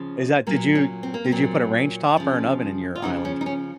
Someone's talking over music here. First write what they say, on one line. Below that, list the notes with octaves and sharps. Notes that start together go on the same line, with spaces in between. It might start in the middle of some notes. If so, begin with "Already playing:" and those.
Is that did you did you put a range top or an oven in your island?
Already playing: C#3 F3
A#2 F#3 A#3
C#4
C4
A#3
C4
A#2 F#3
C#3 F3
F4
C#3 F3 D#4
C#4
D#4
C#4